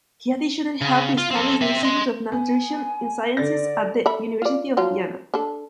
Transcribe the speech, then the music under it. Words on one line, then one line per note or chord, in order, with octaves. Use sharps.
He additionally helped establish the Institute of Nutrition Sciences at the University of Vienna.
C#3
F4
C4 A4
C4 E5
D#5 C6
B3 G#5
D3 D5 A6 A#6
A4 E5 B5
F4 D5
F3 F#3 F4
D4 A4